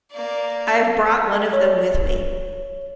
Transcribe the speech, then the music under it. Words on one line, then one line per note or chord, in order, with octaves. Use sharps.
I have brought one of them with me.
A#3 D5
C#5